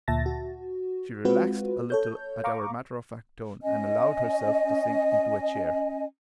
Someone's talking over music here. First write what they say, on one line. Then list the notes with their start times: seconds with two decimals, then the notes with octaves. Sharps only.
She relaxed a little at our matter-of-fact tone, and allowed herself to sink into a chair.
0.08 D2 A#2 E5 A5 A6 A#6
0.26 F#4
1.25 G#3 C4 F4 F#4 B4
1.90 A4 C#5 G6
2.44 F5 A#5 C#6 D6
3.63 C#4 D#5 G#5